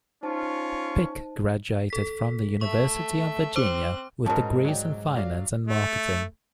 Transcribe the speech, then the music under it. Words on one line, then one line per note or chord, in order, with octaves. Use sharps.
Pic graduated from the University of Virginia with degrees in Finance and Marketing.
C#4 D#4 F4 C5 A5 C#6
A4 B6
A3 E5 C#6
C4 C5 D6 F#6
F2 G#2 C#4 F#4 A#4 A5
F#3 D5 G5
F#3 D5 F5
A3